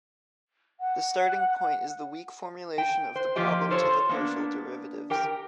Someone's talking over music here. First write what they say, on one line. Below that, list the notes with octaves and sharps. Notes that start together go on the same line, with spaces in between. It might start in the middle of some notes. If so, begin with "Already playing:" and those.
The starting point is the weak formulation of the problem to the partial derivatives.
F#5
G5
C5
F3 A#3 F4 G4 D#5
F4 A4 C5 C#5
A#3 B3 D4
G4 A#4 G5